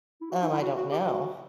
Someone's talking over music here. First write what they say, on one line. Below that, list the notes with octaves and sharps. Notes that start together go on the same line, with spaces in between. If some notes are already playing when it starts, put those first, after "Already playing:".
Um, I don't know.
E4
F#4
D#4
E4
F#4
F#4
G4
F#4